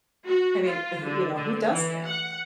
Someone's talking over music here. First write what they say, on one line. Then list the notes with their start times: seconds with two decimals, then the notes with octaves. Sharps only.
I mean, e wh you know, who does that?
0.26 F#4
0.64 F4
1.03 D3
1.35 D3
1.70 E3
2.04 F#5